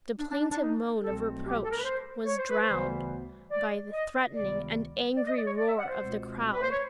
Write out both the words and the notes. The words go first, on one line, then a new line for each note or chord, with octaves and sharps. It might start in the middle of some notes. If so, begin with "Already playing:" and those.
The plaintive moan of reproach was drowned by the threatening and angry roar of the crowd.
D4
D4
D4
D4
D#4
C2 B2 F#3 A3 C4 A4
G4
A4
A#4
B4
C5
C#5
C5
B4
C5
D2 C#3 E3 G3 B3
D5
D#5
C#2 C3 D#3 G3 B3 D5
D5
D#5
D5
C#5
D5
E5
F#5
C5
C#2 B2 G#3 C4
B4
C5
C#5